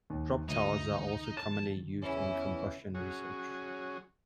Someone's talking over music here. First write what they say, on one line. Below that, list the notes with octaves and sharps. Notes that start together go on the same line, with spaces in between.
Drop towers are also commonly used in combustion research.
D#2
D2 D#4
A5 A6
E2 E3 C#4 E4
F#3 C#4 F#4 G#4